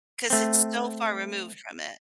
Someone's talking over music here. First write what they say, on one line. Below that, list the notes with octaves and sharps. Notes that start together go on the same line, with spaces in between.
'cause it's so far removed from it.
A3 C4